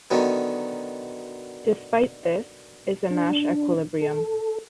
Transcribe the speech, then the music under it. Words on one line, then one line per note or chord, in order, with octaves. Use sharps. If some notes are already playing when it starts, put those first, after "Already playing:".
Despite this, is a Nash equilibrium.
D3 D#3 F#3 B3
D4
A4